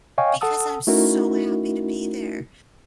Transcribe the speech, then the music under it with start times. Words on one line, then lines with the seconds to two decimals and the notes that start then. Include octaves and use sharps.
because I'm so happy to be there,
0.18 C#5 D#5 F5 G5 G#5 C#6
0.41 A4 F#5 A5 D#6 E6
0.87 A3 C#4 D#4 E4 F#4 A#4